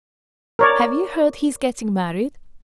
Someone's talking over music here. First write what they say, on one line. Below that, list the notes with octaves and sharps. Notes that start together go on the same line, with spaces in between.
Have you heard he is getting married?
A#4 C#5 D5